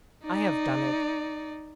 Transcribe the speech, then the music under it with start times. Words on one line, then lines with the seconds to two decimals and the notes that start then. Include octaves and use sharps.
I have done it!
0.24 D#4 D5